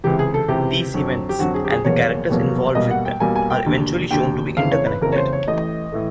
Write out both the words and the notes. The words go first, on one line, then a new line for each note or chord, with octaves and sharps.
These events-and the characters involved with them-are eventually shown to be interconnected.
C#2 C3 E3 G4
G#4
A4
C#2 C3 E3 G4
F2 D3 F#3
G4
F2 D3 F#3 F#4
G#4
G4
G#4
F1 E2 B2 F#3 A#3 C#5
F1 E2 B2 F#3 A#3
B1 B2 G3 A#3 D#5
F#5
G5
B1 B2 G3 A#3 G#5
G#5
G5
E1 D#2 D3
E1 D#2 D3 G5
F#1 F2 C#3 E3 F5
C#5
B4
F#1 F2 C#3 E3 A#4
C#5
C5
C#5
A1 A2 E3 A3 D#5
A2 E3 A3